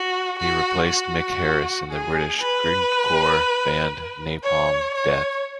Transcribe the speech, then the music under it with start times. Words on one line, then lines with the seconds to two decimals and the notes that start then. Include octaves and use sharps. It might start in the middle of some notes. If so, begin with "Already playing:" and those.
He replaced Mick Harris in the British grindcore band, Napalm Death.
Already playing: F#4
0.39 F#4
0.88 F#4
1.90 G#4
2.42 B4
4.44 C#5
4.94 C#5